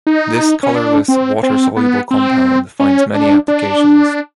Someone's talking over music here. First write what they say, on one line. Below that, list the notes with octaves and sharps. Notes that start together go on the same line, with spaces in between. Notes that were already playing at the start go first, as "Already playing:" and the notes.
This colorless, water-soluble compound finds many applications.
D#4
C#4
D4
C4
C4
B3
C4
C#4
D4
D4